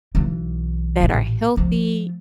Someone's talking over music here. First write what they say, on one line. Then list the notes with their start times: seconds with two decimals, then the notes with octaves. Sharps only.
that are healthy
0.15 B1 E3
1.01 A1 A#2
1.57 F3 A3